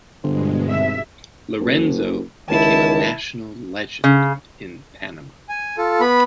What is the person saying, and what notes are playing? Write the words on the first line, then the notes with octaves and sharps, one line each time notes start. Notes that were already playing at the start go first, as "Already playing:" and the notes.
Lorenzo became a national legend in Panama.
G1 G2 B2 D3 G#3 C5
G#1 E5
F#1
C#2 D#3 E4 A5
C#3
G#5
F4 A4
B3 B5